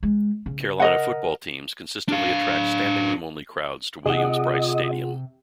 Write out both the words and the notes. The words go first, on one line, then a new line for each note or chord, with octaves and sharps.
Carolina football teams consistently attract standing-room-only crowds to Williams-Brice Stadium.
G#3
C#3
A#4 D#5 F#5
D4 F5
C3 F4 G#4 D#5 F#5